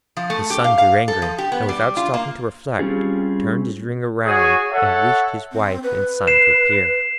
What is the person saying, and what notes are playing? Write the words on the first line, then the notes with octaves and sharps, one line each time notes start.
His son grew angry, and, without stopping to reflect, turned his ring round and wished his wife and son to appear.
F3
A3
G4
F5
F5
A4
F3
G4
B3
G3
F4
A#3
G3 C4 C#4 F4 G4 G#4
F#4 G#4 C#5 G#5
A4 C#5 E5 F#5
C4
B4
C7 E7